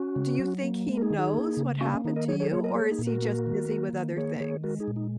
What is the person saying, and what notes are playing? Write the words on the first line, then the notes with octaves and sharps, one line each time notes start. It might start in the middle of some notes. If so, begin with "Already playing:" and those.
do you think he knows what happened to you, or is he just busy with other things?
Already playing: C#4 F#4
C#3
F#3
A#3
G#3
A#4
D#4 G#4
D#3
D#4 G#4
A#3
C#3
A#3 C#4 F#4
C#4
D#3 D#4
A#4 D#5
F#3 G#4 C#5
G#4 C#5
A#3 G#4 C#5
A#4 D#5
A#3 G#4 C#5
D#4 G#4
A#2
F#4 A#4
A#3
D#3
A#3
D#3
A#3 G#4 C#5
D#3 G#4 C#5
G#3 F#4 A#4
D#4 G#4
A#2
D#4